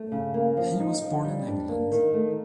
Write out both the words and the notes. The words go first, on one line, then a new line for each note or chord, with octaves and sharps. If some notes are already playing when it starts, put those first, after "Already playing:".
He was born in England.
Already playing: A3
C#3
A#3
F3
D#4
F3
G3
D4
A#3
D#3
A3